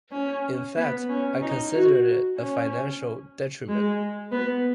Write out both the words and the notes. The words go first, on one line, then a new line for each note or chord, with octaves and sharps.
In fact, I considered it a financial detriment.
C#4
B3
C#4
D#4
F#4
C#4
G#3
B3